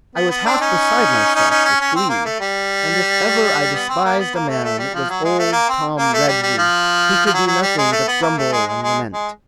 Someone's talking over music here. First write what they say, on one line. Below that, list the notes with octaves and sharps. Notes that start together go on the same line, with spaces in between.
I was half beside myself with glee; and if ever I despised a man, it was old Tom Redruth, who could do nothing but grumble and lament.
B3
B3
C4 D4
C#4 D#4
C#4 D#4
C#4 D#4
C#4
C#4
C4
A#3
A3
G3
B3
C4
A#3
B3
A#3
A3
A3
G3
F3
F#3
G#3
A3
A#3
C4
A#3
A3
G3
G3
F3
F3
F#3
F#3
G3
G#3
A3
B3
A#3
A3
G#3
G#3
G#3
G#3